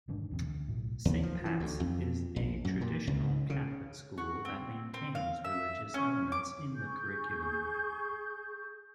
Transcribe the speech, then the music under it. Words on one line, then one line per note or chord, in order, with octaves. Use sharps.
"Saint Pat's" is a traditional Catholic school that maintains religious elements in the curriculum.
F1 G#2 D#3 D4
E2 A2 C3
D2
B1 A2
D#2
F3
E3
D2
F2
A#1
F#2
A#2
C#2
C#3
F#4
C4
C4
F5
E5
C#4
D6
G#4 C#6 G6